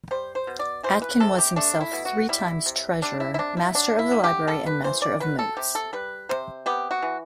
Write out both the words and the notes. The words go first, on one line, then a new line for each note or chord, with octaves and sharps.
Atkin was himself three times Treasurer, Master of the Library and Master of Moots.
G3 C5
C5
B2
D5
E3 C5
B4
C3 A4
G4
A3 D4
E4
B2
F#4
G3 E4
C3
G3 D4
E4
E4
C3 D4
E4
F#3 D4
E4
D3
G4
G3 A4
B4
E3 C5
D5
F#3 B4
A4
C3 G4
A4
G3 B4
C3 C5
B3 G4
F#4
E3